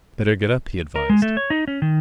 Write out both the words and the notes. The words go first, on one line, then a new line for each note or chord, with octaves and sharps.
"Better get up," he advised.
A#4
G#3
A3
C#5
D#4
C#4
D#3